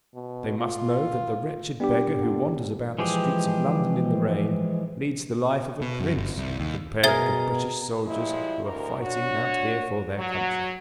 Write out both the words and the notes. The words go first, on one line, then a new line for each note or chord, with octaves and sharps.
They must know that the wretched beggar who wanders about the streets of London in the rain, leads the life of a prince compared with the British soldiers who are fighting out here for their country.
B2
F4
G3 B3 D4 G4
D3
E3 F3 G#3 G4 G#4
B2
F#2
G1
C2
D#2
B2 G#4 A#4 E5 A#5 A6 G7
F3 G3 G#3 E4
D2 G#2 A#4
D4 F#4 C#5
F#3